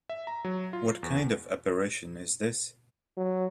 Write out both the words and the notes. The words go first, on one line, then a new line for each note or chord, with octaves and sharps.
What kind of apparition is this?
E5
A#5
F#3
F4
E2
F#3